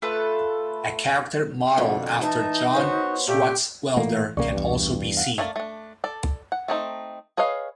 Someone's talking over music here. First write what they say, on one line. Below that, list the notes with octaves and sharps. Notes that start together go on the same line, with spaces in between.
A character modeled after John Swartzwelder can also be seen.
A3 F4 A4 B4
F2 B2 D3
E3 D#4 E5 A5
B3 F#4 C5 C#5
A#2 A3 G4
A#2 E3 A3 A#3
D#1 C2 C#3 A#3 D5 C#6
E2 G2
F5 F#5
A3 A#3 D5
A3 D4
A4 D5
F#5
A3 C4 D#4
G#4 B4 C#5 D#5 F5